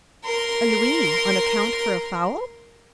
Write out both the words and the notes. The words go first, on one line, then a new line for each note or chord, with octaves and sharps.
"A louis on account for a fowl?"
A#4 C6